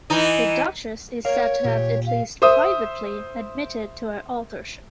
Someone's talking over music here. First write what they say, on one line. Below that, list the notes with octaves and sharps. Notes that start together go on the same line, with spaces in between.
The duchess is said to have at least privately admitted to her authorship.
E3 D#4
A#4 C#5 F5
A#2 G4
F5
C5 E5 D#6